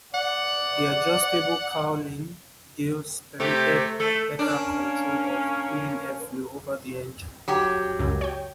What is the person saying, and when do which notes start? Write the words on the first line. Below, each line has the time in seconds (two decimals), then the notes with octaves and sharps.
The adjustable cowling gills permitted better control of cooling airflow over the engine.
0.14 D5 F#5
3.40 C3 A3 G4
4.00 A3 A4
4.39 A#3 C#4 D4
7.48 F#3 G4
7.99 C#2 F#2
8.21 C#5 G5